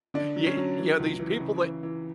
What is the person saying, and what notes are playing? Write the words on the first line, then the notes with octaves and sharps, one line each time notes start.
Ye yeah, these people that
D3 D4
F#3
C#4
F#3
E3
C#2
E3
C#3
E3
E3